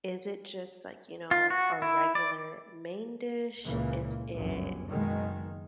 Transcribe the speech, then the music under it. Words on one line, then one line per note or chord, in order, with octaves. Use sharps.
is it just, like, you know, a regular main dish? Is it
F4
F#4
E4
D5
C#2 A#2 C#3 E3 A#3
G1 C#2 F#2
F#1 B2 D#3 G#3